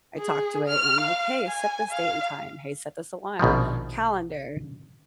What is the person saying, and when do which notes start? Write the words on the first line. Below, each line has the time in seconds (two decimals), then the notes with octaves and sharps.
I talked to it, and I'm like, "Hey, set this date and time. Hey, set this alarm. Calendar,"
0.18 G#4
0.68 F6
1.01 F5
1.49 G#5
1.91 F5
3.39 A#1 B2 D#3 F3